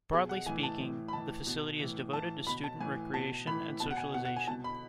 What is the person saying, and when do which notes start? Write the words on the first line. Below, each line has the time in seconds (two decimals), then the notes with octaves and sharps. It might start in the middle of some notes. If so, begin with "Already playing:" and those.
Broadly speaking, the facility is devoted to student recreation and socialization.
0.13 B2 G#4
0.29 F#5
0.46 E3 G#5
0.49 A2
0.63 A5
0.80 A2 E3
1.08 B5
1.13 A2 E3 A5
1.47 B2
1.80 A2 E3
2.13 A2 E3 A5
2.47 B2 B5
2.64 A5
2.80 A2 E3 G#5
3.14 B2 A5
3.47 A2 E3 B5
3.80 B2 A5
3.91 F#5
3.97 G#5
4.14 B2 F#5
4.25 F#5
4.36 G#5
4.48 B2 A5
4.64 B5